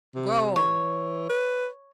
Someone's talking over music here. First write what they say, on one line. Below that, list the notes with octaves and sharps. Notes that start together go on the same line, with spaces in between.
"Go on."
C3
E3 C#5
B4